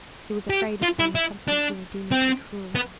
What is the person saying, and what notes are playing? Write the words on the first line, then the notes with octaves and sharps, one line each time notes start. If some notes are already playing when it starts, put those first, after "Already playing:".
He was afraid of saying something irremediably cruel.
G4
F4
E4
E4
D4
C4
B3